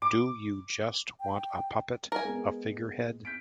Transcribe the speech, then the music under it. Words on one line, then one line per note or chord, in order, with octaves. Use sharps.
Do you just want a puppet, a figurehead?
D6
G5
A#4 G#5
G#3 B3
G6 B6 D7